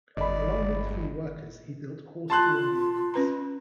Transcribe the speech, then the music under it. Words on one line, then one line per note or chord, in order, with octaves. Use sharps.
Along with three workers, he built horse-drawn vehicles.
G1 D5 D#5 B5
F4 A5 C6 F#6
C#4 B4 A#5